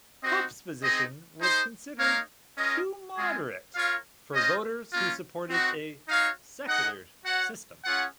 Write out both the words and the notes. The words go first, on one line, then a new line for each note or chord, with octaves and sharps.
Pope's position was considered too moderate for voters who supported a secular system.
C4 D#4 F#4 C5 D#5
C4 D#4 G#4 D#5
D#4 G#4 C5
A#3 D#4 A#4 C#5 F5
C#4 F4 A#4 D#5
G#3 C4 F4 G#4
F4 A#4 C#5 F5
C#4 F4 C5 D#5
A#3 C#4 F4
C4 D#4 F#4
D#4 F#4 C#5 F5
D#4 G#4 D#5 F#5
F#4 C#5 F#5
C#4 F4 G#4 C#5 F#5